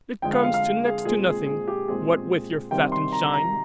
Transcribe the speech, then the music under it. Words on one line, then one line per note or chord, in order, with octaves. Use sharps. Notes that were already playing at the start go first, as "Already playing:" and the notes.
It comes to next to nothing--what with your fat and shine.
F2 D3 G#3 G5
F5
F5
F5
G#4
A#2 G#3 C4 G#4
G#4
G#4
G4
A#2 G#3 C4 G#4
C3 D#3 G3 C4 G5
C6
A#5
A#5